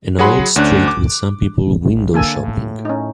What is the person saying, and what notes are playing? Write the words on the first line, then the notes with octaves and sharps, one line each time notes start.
An old street with some people windowshopping.
F#3 G#4 F#5 B5 C6
D2 C#4 D4 F#6
D6
A#1
D3 A#3 A4 G#5
A2
C#4 D#4